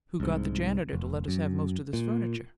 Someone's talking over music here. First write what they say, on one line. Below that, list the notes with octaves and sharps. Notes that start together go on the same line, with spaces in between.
Who got the janitor to let us have most of this furniture?
C2 G#2
F1
F#2
A#2